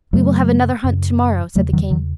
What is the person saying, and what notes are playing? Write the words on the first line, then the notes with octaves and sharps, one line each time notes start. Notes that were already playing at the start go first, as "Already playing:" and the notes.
"We will have another hunt to-morrow," said the king.
F#2 C#3 F#3 A3
F#2 C#3
E2 C#3 F#3 A3
D#3 F#3
D#3 F#3